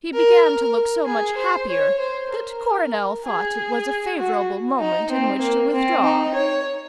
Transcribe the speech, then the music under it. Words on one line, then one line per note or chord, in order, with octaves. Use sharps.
He began to look so much happier that Coronel thought it was a favourable moment in which to withdraw.
A#4
A#4
G#4
C5
C#5
C5
A#4
G#4
F#4
D#4
C4
A#3
C4
D#4
C#5